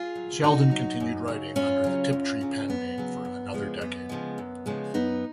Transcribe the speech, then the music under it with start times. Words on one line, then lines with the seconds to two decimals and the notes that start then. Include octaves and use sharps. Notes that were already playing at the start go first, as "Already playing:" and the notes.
Sheldon continued writing under the Tiptree pen name for another decade.
Already playing: F4 G#4
0.15 F#3
0.43 A#2 D#4 F#4
0.71 F#3
1.00 F#2
1.28 C#3 F#3
1.56 F#2 C#4 F4
1.84 C#3 F#3
2.13 F#2
2.41 C#3 F#3
2.68 F#2 B3
2.98 C#3 F#3
3.25 F#2
3.54 C#3 F3 G#3
3.81 F#2 B3
4.09 C#3 F3 G#3
4.38 F#2
4.66 C#3 F3 G#3
4.94 F#2 B3 D#4